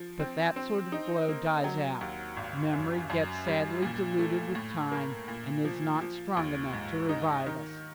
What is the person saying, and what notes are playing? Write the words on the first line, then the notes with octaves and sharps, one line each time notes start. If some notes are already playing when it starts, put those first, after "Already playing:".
But that sort of glow dies out: memory gets sadly diluted with time, and is not strong enough to revive us.
Already playing: F3
C4
C4
D#4
A#3
F#3
D#2
G#1
F#2
F#2
G3
A#2
A3
A2
A#3
A#2
F3
F3
D#2
G#2
D#4
D#3